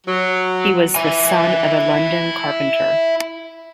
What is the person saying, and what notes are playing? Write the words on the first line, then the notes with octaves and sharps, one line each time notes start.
He was the son of a London carpenter.
F#3
E4 G#5